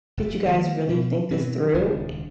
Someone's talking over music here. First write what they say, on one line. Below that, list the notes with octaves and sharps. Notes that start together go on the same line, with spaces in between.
"Did you guys really think this through?
F1 A3
D#3 G3 G#3 A#3
B2
B2 F#3 C4 C#4
D#1 C#2 D#3 D4